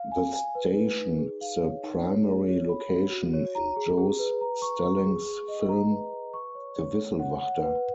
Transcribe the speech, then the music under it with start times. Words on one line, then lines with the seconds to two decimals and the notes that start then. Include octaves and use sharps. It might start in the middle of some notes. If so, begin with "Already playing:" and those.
The station is the primary location in Jos Stelling's film "De Wisselwachter".
Already playing: F5
0.12 G#5
0.34 G#5
0.55 B4
0.76 B4
0.98 D#4
1.18 G#4
1.41 F5
1.62 C#5
1.84 D#4
2.04 C#5
2.27 G#4
2.48 C#5
2.69 B5
2.90 F#4
3.11 F#4
3.33 C#5
3.55 A#5
3.76 G#4
3.98 G#4
4.19 B4
4.41 A#5
4.62 C#6
4.83 C#6
5.05 G#4
5.26 G#4
5.48 D#5
5.69 A#5
5.90 B4
6.12 B4
6.34 C#6
6.55 C#5
6.76 C#5
6.98 C#5
7.19 F#5
7.41 F#5
7.62 B4